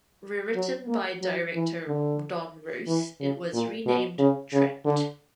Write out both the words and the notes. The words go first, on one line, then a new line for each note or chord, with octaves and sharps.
Rewritten by director Don Roos, it was renamed "Trapped".
F#3
A#3
F#3
E3
D3
E3
C#3
A#2
B2
C#3
C#3
D3